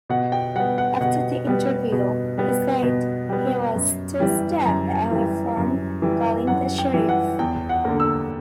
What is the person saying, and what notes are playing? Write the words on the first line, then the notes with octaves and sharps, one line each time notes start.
After the interview, he said he was two steps away from calling the sheriff.
B2 F#5
G5
G3 B3 F#5
F#5
B2 F#5
G3 B3
B2
G3 B3
B2
G3 B3
F#2
E3 G3
F#2 A#5
E3 G3
F#2
E3 G3
F#2 F#5
G5
E3 G3
F#5
E2 G5
F#5
D3 A#3
E6